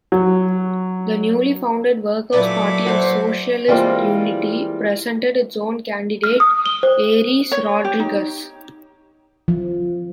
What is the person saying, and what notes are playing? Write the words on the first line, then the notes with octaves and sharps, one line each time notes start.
The newly founded Workers Party of Socialist Unity presented its own candidate, Aires Rodrigues.
F#3
A#2 E3 F#3 A3 E4 B4 D6
F#4 C5
E3 G3 G#3 A#3 C4 F4
F6
D#6
G7
C5
C#5
G4
D#4
F3